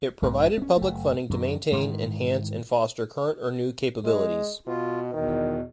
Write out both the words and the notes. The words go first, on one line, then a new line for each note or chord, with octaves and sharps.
It provided public funding to maintain, enhance, and foster current or new capabilities.
B1 G#2 B2
B3 C#4
F#1 A3
F#2 C3 D#3
G#2 D#3 E3
G#3
B2 F4
E2 B2 D#3